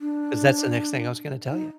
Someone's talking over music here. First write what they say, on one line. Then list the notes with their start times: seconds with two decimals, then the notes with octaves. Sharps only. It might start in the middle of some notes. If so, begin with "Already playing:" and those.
'cause that's the next thing I was gonna tell ya.
0.01 D4
1.51 D#4